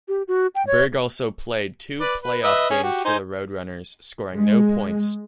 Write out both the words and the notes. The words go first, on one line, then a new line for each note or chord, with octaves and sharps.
Berg also played two playoff games for the Roadrunners, scoring no points.
G4
F#4
G5
C#5
B4 D5
B4
B4 D#5 E5
C#4 G#4
F#4 G4
D#4 C5 G#5
G#3